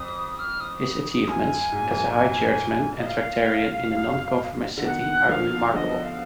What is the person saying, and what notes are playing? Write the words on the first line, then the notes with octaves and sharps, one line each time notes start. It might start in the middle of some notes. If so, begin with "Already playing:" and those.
His achievements, as a High Churchman and Tractarian in a non-conformist city are remarkable.
Already playing: F2 D#6
D#6
F6
D#6
D#6
D#6
F#2 G#5
G#2
A#2
F2 G#2
F#2 A#2
D#5
F5
F#2
D3
B2 D#3 F#5
D3 F3 F5
D3 F3 D#5
F5